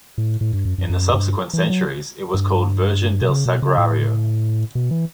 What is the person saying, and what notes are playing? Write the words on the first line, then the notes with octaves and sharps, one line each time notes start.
In the subsequent centuries, it was called Virgen del Sagrario.
A2
A2
G2
F#2
F#2
F#2
G2
E3
F#3
G2
B2
C#3
B2
C#3
A2
B2
E3